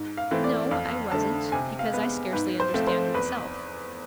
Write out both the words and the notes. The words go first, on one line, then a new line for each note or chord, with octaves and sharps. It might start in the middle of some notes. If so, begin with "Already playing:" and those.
'No, I wasn't, because I scarcely understand myself.'
Already playing: G#2
F5
E3 A3 C4
D5
F2 F5
D3 A3 A5
C3 G#5
F5
G#3 B3
G#2 B4
C5
F3 A3 C4
C5
E2 B4